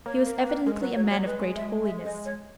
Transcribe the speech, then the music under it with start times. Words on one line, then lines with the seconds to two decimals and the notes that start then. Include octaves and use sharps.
He was evidently a man of great holiness.
0.06 A#3 C#5
0.26 A#4
0.46 B4
0.66 G#3 A#4
0.81 F#3 B4
0.96 F#3 C#5
1.10 F#3 C#5
1.26 G#3 B4
1.56 E5
1.85 E5
2.05 D#5
2.25 C#5